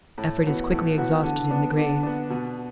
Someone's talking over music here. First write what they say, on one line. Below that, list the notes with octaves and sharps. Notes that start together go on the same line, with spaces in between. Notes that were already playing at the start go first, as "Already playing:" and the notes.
Effort is quickly exhausted in the grave.
A2
E3 B3 F#4
A2
E3 B3 F#4
D3
B3 D4
D3
B3 D4
B2